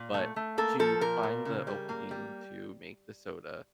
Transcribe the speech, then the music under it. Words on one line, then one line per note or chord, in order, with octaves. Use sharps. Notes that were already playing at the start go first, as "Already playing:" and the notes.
But to find the opening to make the soda,
Already playing: A#2
A3
A3
A#3 A4
F3 A4
A#2 A#4
A#2
C#3
G3
A#3
G3